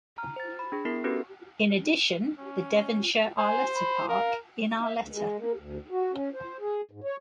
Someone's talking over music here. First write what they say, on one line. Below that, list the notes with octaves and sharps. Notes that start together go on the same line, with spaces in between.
In addition the Devonshire Arleta Park in Arleta.
A#5 F6
C5 A6
B5
D4 G#4
B3 E4 A#4 C7
B3 C#4 F#4 G4 A4 B4
C#4
C5 G#5
B5
A#4 F5
E5
D2
G#3
A#3
D2
F#4
C#4
C5
G#4
G#2
C#5